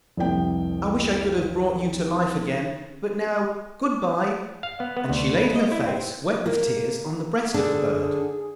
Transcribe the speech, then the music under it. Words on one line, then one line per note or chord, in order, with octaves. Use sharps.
'I wish I could have brought you to life again; but now, good-bye!' And she laid her face, wet with tears, on the breast of the bird.
F1 C2 G5
F5
B3
B3
D2
B4
D#5
E4
C4
A#3
D3 D4 G#4